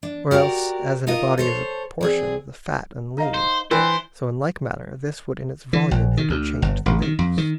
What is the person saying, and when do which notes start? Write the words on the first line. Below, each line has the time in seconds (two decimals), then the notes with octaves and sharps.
Or else, as in a body is apportioned The fat and lean, so in like manner this Would in its volume interchange the leaves.
0.03 D4
0.31 F#4 G4 A#4 D5
1.07 D#4 F4 A#4 D#5
1.38 A4 C5 C#5
2.01 C4 G#4 D5
3.18 D#4 D#5 F5
3.34 C5
3.71 E3 C5 D5 G5
5.73 E3
5.91 A#1
6.17 D#3
6.30 D2
6.62 G1
6.86 A1
7.02 D#3
7.19 F2
7.38 D#3